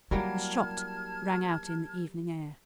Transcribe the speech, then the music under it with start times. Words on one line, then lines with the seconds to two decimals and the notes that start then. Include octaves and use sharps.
A shot rang out in the evening air.
0.11 F#3 G3 A#3 D#4 E4 A5 F6 G#6